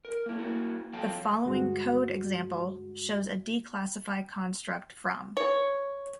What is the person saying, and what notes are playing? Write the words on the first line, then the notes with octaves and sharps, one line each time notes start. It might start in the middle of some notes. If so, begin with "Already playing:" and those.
The following code example shows a declassify construct from.
A#4
A#3 E4
A#3 E4 F#4
F3 F#3 A4 F5 G5 A5
D2 G2 G#3 F#4
C#5